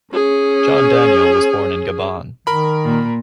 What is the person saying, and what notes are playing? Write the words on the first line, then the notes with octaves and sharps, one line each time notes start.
John Daniel was born in Gabon.
C#4 G#4
D#3 A#4 B5
A#2